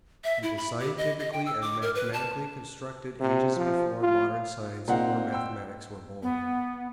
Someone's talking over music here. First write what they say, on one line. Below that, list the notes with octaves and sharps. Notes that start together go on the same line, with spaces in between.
It was scientifically and mathematically constructed ages before modern science or mathematics were born.
E5
E4
B5
G4
D#5
D#5
G5
E6
D6
A#4
B4
A5
C3
F3
F4
A#2 C4 D#4 F5 F#5
G5 C6 E6
B3